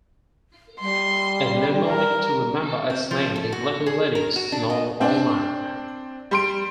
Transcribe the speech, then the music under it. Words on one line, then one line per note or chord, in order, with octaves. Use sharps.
A mnemonic to remember its name is, Little Ladies Snore All Night.
G3 C6
A#4
C4
F3
A4
F#4
G#4
A#4
F#4
D4
D#5
C4 D4
G3 C6 D7